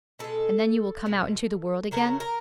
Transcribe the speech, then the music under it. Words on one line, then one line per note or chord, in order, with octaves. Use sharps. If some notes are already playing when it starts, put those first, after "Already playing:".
'And then you will come out into the world again?
B2 G#3 A4
B2 G#3
C#3 F#3 A3 A#4
A#4